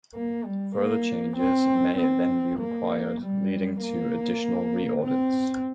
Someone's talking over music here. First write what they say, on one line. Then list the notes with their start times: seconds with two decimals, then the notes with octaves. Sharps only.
Further changes may then be required, leading to additional re-audits.
0.14 A#3
0.45 G3
0.76 A#3
1.37 C4
1.97 C4
2.59 A#3
3.21 G3
3.82 A#3
5.04 C4